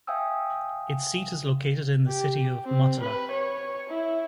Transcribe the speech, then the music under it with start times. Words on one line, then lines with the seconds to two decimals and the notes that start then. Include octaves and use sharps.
Its seat is located in the city of Motala.
0.07 E5 F5 G5 G#5 D#6 E6
2.08 G4
2.65 C4
2.99 B4
3.31 C#5
3.89 E4